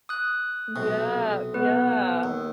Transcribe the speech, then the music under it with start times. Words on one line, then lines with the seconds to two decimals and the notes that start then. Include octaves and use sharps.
Yeah, yeah.
0.09 D#6 F#6
0.76 B1 C3
1.54 B3 B4
2.23 D#2